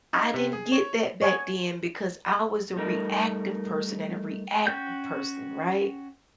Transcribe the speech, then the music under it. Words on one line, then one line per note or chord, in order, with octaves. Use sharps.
I didn't get that back then because I was a reactive person and a reactive person, right?
D#4
C3
G#4
C#5
C#5 G#5 C#6
G3 A3 D#4 A#4
C#4 F#4 G5 G6